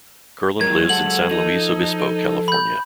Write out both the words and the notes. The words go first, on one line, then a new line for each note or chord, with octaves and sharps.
Kurland lives in San Luis Obispo, California.
F#3 G#3 A#4 G#6
A4 F#5 F#7
F3 D#4
B5 G6